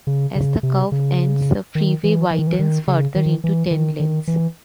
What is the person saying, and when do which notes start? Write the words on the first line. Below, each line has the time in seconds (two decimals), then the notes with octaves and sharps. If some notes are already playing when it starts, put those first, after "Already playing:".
As the curve ends, the freeway widens further into ten lanes.
0.07 C#3
0.35 C#3
0.63 C3
0.92 C#3
1.75 D#3
2.04 E3
2.31 E3
2.39 D#3
2.47 E3
2.59 D#3
2.87 C#3
3.15 D#3
3.44 E3
3.71 D#3
4.00 D#3
4.27 E3